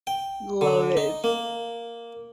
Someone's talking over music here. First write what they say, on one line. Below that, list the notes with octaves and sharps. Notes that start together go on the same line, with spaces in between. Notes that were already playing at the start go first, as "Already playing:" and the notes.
love it.
G5
D3
D#4
A#3